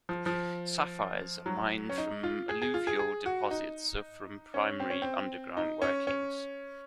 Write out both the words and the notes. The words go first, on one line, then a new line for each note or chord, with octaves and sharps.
Sapphires are mined from alluvial deposits or from primary underground workings.
F3
F3
F#3
C#4
D#4
F4
G#4
G#4
F4
G#4
G#4
F#4
D#4
C#4
C4
C#4
C4
D#4
C#4
C#4